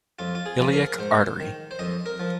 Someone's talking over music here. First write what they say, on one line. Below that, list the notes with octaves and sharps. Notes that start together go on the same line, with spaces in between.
Iliac artery.
F2 F4
F4
G#4
F3
A#4
G#2 C5
D#3
C5
F2 D#5
A#4
F3